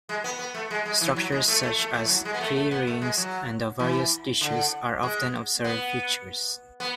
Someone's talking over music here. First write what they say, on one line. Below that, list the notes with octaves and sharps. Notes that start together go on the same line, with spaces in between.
Structures such as tree rings and the various tissues are often observed features.
G#3
B3
B3
A3
G#3
G#3
E3
F#3
G#3
A3
A3
A3
A3
E3
F#3
G#3
B3
A3
A3
B3
A3
G#3
F#3
E3
D3
G#3
B3
B3